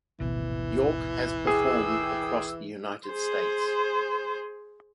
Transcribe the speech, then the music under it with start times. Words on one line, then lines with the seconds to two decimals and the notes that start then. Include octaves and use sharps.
York has performed across the United States.
0.20 D1 G#1 B2 E3
1.47 G#4 G5 D6 E6
3.08 G#4 C5